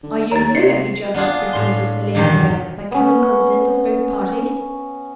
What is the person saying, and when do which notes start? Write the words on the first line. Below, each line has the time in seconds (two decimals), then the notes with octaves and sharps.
"Are you free of each other, pretty Mrs. Valeria, by common consent of both parties?"
0.03 D3
0.32 D#2 C#5 A#5 A6
0.55 C3 D5 C7 C#7
1.14 B3 D4 F4 G#4
1.53 A2 C6
2.15 E2 G2 B2 D#3
2.91 B3 C#4